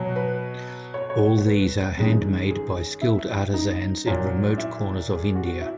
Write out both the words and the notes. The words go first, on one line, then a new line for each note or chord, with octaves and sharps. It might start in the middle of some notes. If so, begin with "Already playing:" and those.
All these are handmade by skilled artisans in remote corners of India.
Already playing: B2 F#3
B4
C#5
C#5
B4
F#2 D#3 G#3
G#4
E4
D#4
A#2 F#3
E4
G#4
F#4
E4